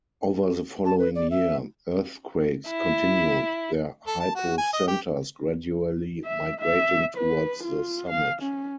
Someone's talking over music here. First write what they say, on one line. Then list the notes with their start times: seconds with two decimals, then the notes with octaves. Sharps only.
Over the following year, earthquakes continued, their hypocentres gradually migrating towards the summit.
0.85 A5
0.99 B4
1.15 D5
1.31 E5
2.69 E4
4.08 A4
4.20 A5
4.35 F#4
4.58 G#5
4.73 D#5
4.88 G4
6.25 E5
6.61 E5
7.17 B4
7.64 F4
8.10 F5
8.42 C#4